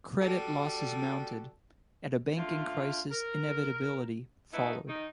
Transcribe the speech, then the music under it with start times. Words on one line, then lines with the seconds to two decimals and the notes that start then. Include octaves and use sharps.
Credit losses mounted and a banking crisis inevitability followed.
0.22 G3 D4 F#4 A4
2.37 D3 A3 F4
3.12 A#4
4.52 A3 B3 D#4 E4
4.88 D#3 D#4